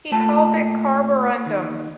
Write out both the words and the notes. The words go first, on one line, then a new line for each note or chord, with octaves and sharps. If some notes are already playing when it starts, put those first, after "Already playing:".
He called it carborundum.
A#2 A3 A5
D#2